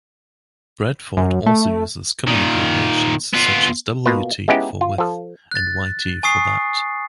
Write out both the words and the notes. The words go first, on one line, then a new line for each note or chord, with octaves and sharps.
Bradford also uses common abbreviations such as wt for with, and yt for that.
F#2
A3
A#2 D#3
B3 F4
B2 A#3 F4 B4
G#3 B3 C#4 D#4 E4 G4
F4
F3 A4
F#6 A6
G#5 C#6 D#6 C7